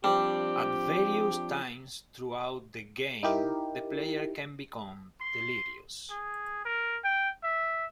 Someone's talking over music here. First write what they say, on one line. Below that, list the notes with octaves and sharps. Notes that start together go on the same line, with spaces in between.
At various times throughout the game the player can become delirious.
F3 G3 C4 D4 G4
D#4 E4 G4 A#4
C6
G#4
A#4
G5
E5